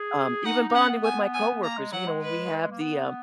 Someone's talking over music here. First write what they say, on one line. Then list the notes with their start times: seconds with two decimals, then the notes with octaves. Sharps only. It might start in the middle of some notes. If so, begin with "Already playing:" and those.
um, even bonding with my coworkers, you know, when we have the, um,
Already playing: G#4
0.45 D#4 F#5
0.69 D#4
0.75 C#4 F#5
0.89 B3
1.04 G#5
1.34 G#5
1.63 A#3 A#5
1.78 G#3
1.92 F#3 F#5
2.07 G#3
2.22 B4
2.60 G#3
2.71 A#3
2.81 B3